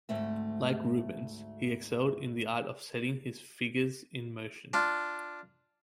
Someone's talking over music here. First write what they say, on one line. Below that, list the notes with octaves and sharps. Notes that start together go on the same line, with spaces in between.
Like Rubens he excelled in the art of setting his figures in motion.
D2 G#2 A3 C4 E5
D4 F4